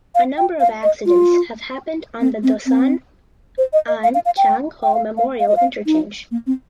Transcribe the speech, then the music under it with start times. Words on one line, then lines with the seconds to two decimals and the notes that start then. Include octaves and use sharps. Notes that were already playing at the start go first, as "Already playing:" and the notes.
A number of accidents have happened on the Dosan Ahn Chang Ho Memorial Interchange.
0.15 F5
0.38 G5
0.60 F5
0.83 D#5
1.06 F4
2.21 C4
2.43 C4
2.66 C4
3.58 C5
3.73 D#5
3.88 D#5
4.04 F5
4.15 F5
4.26 F5
4.37 G5
4.83 G5
4.94 F5
5.17 F5
5.40 F5
5.48 D#5
5.56 F5
5.86 D#4
6.31 A#3
6.47 C4